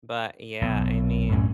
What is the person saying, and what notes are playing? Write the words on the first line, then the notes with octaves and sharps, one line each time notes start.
but yeah, I mean,
B1
F#2 A2 C#4